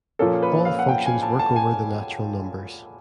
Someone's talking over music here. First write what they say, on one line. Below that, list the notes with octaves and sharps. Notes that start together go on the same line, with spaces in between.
All functions work over the natural numbers.
A#2 F3 A#3 C#4 A4
B4
F5
F#5
G5
G#5
A5
A5
G#5